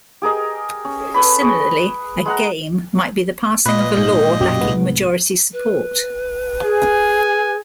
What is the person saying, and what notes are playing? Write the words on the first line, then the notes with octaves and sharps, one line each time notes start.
Similarly, a "game" might be the passing of a law lacking majority support.
G4 G#4 A#4 D#5
C#4
A4 B4 C#5 B5
G#4 C#6 D6
G#3 F#5 A#5
A#2 B4 D#5
G#2 G6
B1 F#2 G4
C2 G#2 B3
B4
G#4 G#5